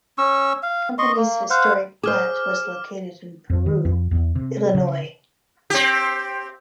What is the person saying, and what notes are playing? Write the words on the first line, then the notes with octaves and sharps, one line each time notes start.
The company's historic plant was located in Peru, Illinois.
C#4 C#6 E6
F5
D#5 C6 C#6
A#3
C5 F5 F#5
G#4 C5 D6 F6
F2
D#3
F2
E2
C3
C#3
C4 G4